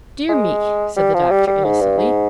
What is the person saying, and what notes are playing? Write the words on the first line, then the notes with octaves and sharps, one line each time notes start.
'Dear me!' said the Doctor, innocently.
G#3
G3
F3
G3
G3
G#2
G2
G#2